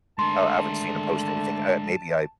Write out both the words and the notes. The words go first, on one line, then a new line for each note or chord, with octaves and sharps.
uh, I haven't seen him post anything, uh, maybe I
D3 G#3 A3 A#4 A5 C6